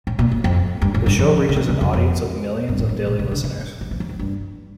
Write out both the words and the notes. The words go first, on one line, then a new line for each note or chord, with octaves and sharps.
The show reaches an audience of millions of daily listeners.
A2
A#2
A2
F2
G2
A2
G2
F3
D3
E3
C#3
F2
F2
G2
A2
G2
A#2
C#3
D3
E3
F3
E3
F3
E3
G2